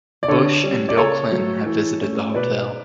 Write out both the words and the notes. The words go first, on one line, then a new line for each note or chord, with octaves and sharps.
Bush, and Bill Clinton have visited the hotel.
D5
D3 A4 C#5
G3 C#4
D5
C#3 A4 C#5
F#3 A3
E3
A3 C#4
B2 B4 D5